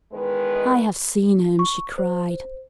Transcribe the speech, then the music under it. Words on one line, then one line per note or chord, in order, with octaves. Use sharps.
"I have seen him!" she cried.
E2 D#3 G#3 B4
C#6
C5